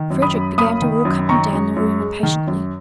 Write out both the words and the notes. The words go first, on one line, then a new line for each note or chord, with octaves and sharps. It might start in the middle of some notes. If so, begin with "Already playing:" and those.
Frederick began to walk up and down the room impatiently.
Already playing: D#3
F#2
B5 D#6
F#2
A#3 B5 D#6
D#3
F#2
D#3 A#5 C#6
F#2
F#2
G#3
D#3
F#2